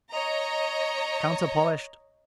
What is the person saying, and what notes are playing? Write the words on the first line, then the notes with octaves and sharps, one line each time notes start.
Counter polished.
C#5 D#5 A#5